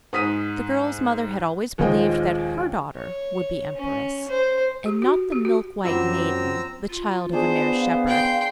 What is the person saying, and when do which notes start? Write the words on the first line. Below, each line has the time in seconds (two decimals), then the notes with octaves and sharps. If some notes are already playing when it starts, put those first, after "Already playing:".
The girl's mother had always believed that her daughter would be empress, and not the 'Milkwhite Maiden,' the child of a mere shepherd.
0.13 G#2 D#6 B6 D#7
1.78 A#1 D#2 F3 G#3 D#5 G5
2.97 C#5
3.75 C#4
4.28 C5
4.86 G4
5.02 F#4
5.32 G4
5.45 F#4
5.85 F#2 C4 F4 F#5 A#5 D6 E6
6.90 F4
7.33 B3 D4 G#4 C5
7.74 F5
8.07 G5 C6